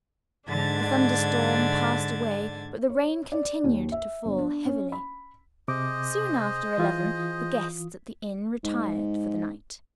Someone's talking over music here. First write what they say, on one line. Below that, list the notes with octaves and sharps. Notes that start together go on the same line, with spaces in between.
The thunderstorm passed away; but the rain continued to fall heavily. Soon after eleven the guests at the inn retired for the night.
G#2 D3 D4 G#6 A6
C#5
D5
D#2
E5
G1
D4
C#4
B5
C3 G#4 C5 D#5 D6
E3 F4 D#6
G#2